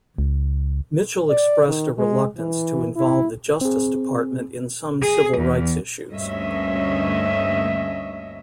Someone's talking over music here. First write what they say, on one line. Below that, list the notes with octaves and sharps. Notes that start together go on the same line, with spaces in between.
Mitchell expressed a reluctance to involve the Justice Department in some civil rights issues.
C#2
D5
D#3
G#3
E3
E4
C4 G#4
G#4
E2
D2 G2 A#3 C#4 D#5 E5